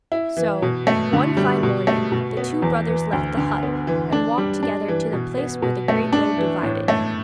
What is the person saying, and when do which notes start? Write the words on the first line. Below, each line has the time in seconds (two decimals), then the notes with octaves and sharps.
So, one fine morning, the two brothers left the hut, and walked together to the place where the great road divided.
0.12 E4
0.37 E3
0.62 B2
0.87 A3
1.13 D3
1.37 G3
1.63 B2
1.87 A3
2.12 B2
2.37 B3
2.62 E2
2.88 E3
3.13 D2
3.37 D3
3.63 B3
3.87 E3
4.12 D4
4.38 G3
4.63 D4
4.88 E3
5.13 B2
5.37 B3
5.62 B2
5.88 A3
6.13 D4
6.37 E3
6.63 A2
6.88 A3